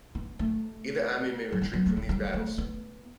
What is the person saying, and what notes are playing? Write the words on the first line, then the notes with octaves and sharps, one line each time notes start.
Either army may retreat from these battles.
B3
A3
F#3
G3
F#3
A3
A3
G3
A3
B3